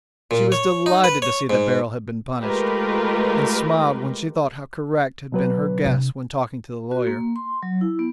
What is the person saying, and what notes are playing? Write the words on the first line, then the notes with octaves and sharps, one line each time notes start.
She was delighted to see that Beryl had been punished, and smiled when she thought how correct had been her guess when talking to the lawyer.
A#2
C#5
D#4
B4
C#5
G#2
G#3 A3 F4 G4 A#4 B4
B2 F#3 B4
C3 D4
F#4
A#3
C6
F#3
E4
B3